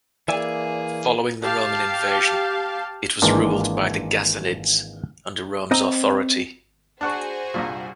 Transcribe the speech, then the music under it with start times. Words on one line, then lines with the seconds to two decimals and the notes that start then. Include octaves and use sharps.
Following the Roman invasion, it was ruled by the Ghassanids, under Rome's authority.
0.28 E3 A#3 G#4 D5 E5 G#5
1.41 G4 F5 A5
3.22 G#1 E3 G#3 A#3 D4 F4
5.71 C4 D#5 A#5
7.01 D4 F#4 G#4 C5 F#5 C#6
7.54 C2 G2 A#2